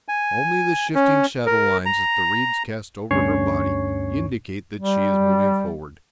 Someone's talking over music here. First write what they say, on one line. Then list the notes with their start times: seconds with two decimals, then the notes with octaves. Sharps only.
Only the shifting shadow-lines that the reeds cast over her body indicate that she is moving forward.
0.08 G#5
0.95 C#4
1.46 A#4
1.86 A#5
3.11 D2 G2 C#4 C#5 C#6 C7
4.77 G3